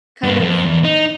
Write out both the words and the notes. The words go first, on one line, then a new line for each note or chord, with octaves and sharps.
kind of
G2 A#3
F2
E2
D#4